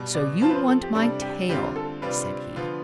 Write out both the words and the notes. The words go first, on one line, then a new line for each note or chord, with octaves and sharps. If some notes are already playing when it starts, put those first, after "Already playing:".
"So you want my tail?" said he.
Already playing: B2 G3 B3
D5
F3 C4 F4 A5
B4
C5
A4
G4
C3 G3 D4 A4
G4
D3 G3 C4 F4 G4
A4
C3 G3 D4 F4 B4
D3 F3 B3 F4